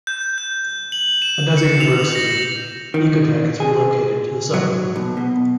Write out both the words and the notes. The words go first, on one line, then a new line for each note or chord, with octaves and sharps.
Another university, Ecotec has relocated to the suburb.
G6
G6
F#7
E7
C#7
F7
A#6
D#3
G#4
F#3
B1
B2